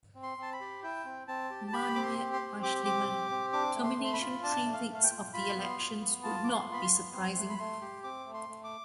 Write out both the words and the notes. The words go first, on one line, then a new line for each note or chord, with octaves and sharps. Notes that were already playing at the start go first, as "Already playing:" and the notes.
Manuel Aeschlimann, termination three weeks of the elections would not be surprising.
C4
C6
C4 A5
B5
G4
E4 G5
C4
C4 A5
G4
A5
G4 B5
C4 D6
C6
G4
C6
C4
G4 D6
C4 D6
G4
C4
D4 D6
A3
C6
A3
C6
B5
F4
D4 A5
A3
F5
A3
F5
G5
F4
F4 B5
B3
C6
F4
B3
F4 A5
B3 D6
C6
F4 B5
C6
B3
C4 C6
A3
B5
A3 C6
G4
C4 D6
A3
C6
A3
D6